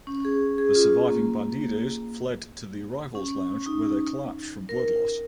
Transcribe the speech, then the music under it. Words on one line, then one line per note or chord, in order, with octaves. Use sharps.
The surviving Bandidos fled to the arrivals lounge where they collapsed from blood loss.
C#4
G#4
G#4
F4
A#3
C#4
D#4
A#4